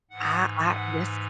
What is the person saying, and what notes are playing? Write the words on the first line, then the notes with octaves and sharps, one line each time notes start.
I I this
G#2 E3 F#5
F#5